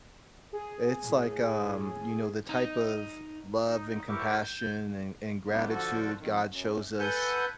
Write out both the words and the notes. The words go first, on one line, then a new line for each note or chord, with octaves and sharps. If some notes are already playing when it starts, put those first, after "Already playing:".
it's like, um, you know, the type of love, and compassion, and and gratitude God shows us,
G#4
A2
D#4
D#4
E4 G4 A#4 E5 C#6 D6
G6
C3 D#3 G3 B3
D3 F3 F#4 A4
F2 D#3
F#2
A4 B4 F#5 G#5 G6